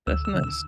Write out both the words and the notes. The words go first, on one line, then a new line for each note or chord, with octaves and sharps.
That's nice.
D2 E6
E6
D3
E6